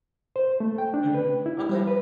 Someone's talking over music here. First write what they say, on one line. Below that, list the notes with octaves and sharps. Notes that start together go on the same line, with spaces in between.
Mhm. Okay.
C5
A3
G5
D4
B4
E4
G3
B4